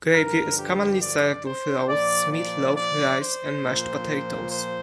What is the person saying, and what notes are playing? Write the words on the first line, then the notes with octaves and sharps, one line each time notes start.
Gravy is commonly served with roasts, meatloaf, rice, and mashed potatoes.
G2 D3 F3 A#4
G4
D5
C5
A#2 F3 D5
D5
D5
C5
A#2 F3
C5